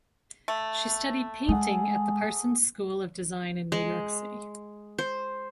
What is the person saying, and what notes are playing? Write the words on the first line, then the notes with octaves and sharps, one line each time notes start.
She studied painting at the Parsons School of Design in New York City.
A3
G#3 G#4 F#5
G#3
C5